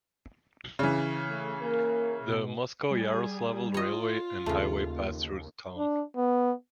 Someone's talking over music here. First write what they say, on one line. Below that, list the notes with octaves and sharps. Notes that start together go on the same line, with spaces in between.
The Moscow-Yaroslavl railway and highway pass through the town.
C#3 E3
A3
A#3 A#4
B2
G3 G#4
F4 C#5 D#5
D#2 C#3 A3
D4
B3